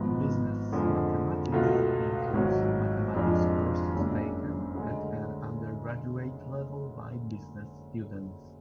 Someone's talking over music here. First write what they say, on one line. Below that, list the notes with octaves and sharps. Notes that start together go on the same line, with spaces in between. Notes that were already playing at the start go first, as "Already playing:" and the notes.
"Business Mathematics" includes mathematics courses taken at an undergraduate level by business students.
Already playing: G#1 G#2 F3 B3
F2 D3 F3 G#3
C#2 B2 A3 F4
G#1 G#2 F#3
F2 F3 G#3 D4 F4
F#1 F#2 C#3 G#3 D4
D2 D3 G#3